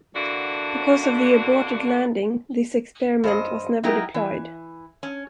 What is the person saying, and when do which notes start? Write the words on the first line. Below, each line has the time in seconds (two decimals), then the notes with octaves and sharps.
Because of the aborted landing, this experiment was never deployed.
0.16 D3 E3 A#3 D4 F#4
3.24 G2 C5 D#5
3.83 F#3 D#4 E4 F#4 G4 A#4
4.14 E3
5.03 C#4